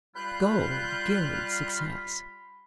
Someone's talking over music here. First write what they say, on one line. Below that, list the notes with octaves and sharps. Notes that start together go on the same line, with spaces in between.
Gold gilds success.
G3 F4 B5 F#6 G6